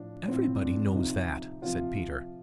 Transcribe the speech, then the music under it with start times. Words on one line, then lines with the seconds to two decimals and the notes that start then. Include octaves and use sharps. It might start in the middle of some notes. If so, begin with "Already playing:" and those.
"Everybody knows that!" said Peter.
Already playing: A2 F3 D4
0.27 A2 F3 C4
0.61 D4
0.94 C3 F3 D#4
1.62 C3 F3 F4